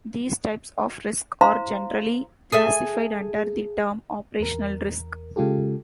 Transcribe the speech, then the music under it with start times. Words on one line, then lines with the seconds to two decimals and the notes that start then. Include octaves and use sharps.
These types of risk are generally classified under the term 'operational risk'.
1.41 E4 C5 F5 A#5 C6
2.52 G#4 A4 E5
4.40 E2 A#4
5.36 C#3 G#3 F4 G4 A4